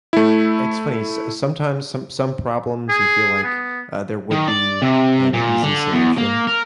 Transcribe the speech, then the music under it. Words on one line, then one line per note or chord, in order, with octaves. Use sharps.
it's funny, s sometimes some some problems you feel like, uh, there would be an easy solution,
A3 E4
G#4
B3
D#3
D5
C3
A#2
D3
E2
A#3
A#4